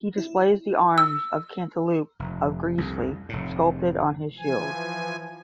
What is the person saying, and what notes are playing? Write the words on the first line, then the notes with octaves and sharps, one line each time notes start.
He displays the arms of Cantilupe of Greasley sculpted on his shield.
E4
E6
F1
C2 F2
F1 A2
E3 F3 G#5